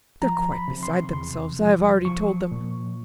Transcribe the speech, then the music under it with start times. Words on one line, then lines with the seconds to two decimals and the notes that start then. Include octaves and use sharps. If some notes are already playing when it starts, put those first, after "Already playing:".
"They're quite beside themselves; I have already told them..."
0.22 F3 A#5
0.52 B5
0.68 C3
0.83 C6
1.13 E2 C6
1.59 F3
2.05 F3 C#6
2.51 A#2